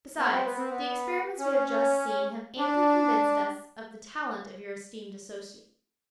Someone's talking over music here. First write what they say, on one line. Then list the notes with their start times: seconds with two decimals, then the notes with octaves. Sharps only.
Besides, the experiments we have just seen have amply convinced us of the talent of your esteemed associates...
0.19 B3
0.31 C4
0.45 B3
0.57 C4
0.70 B3
1.39 C#4
2.58 D4